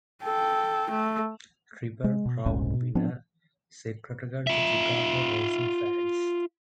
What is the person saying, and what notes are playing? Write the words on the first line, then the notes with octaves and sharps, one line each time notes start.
Triple Crown winner Secretariat to Chicago racing fans.
A4 G5
A3
G#3
B2
E1 C2 G#2 C#4
B2
F3 B3 C4 D4
F4 E5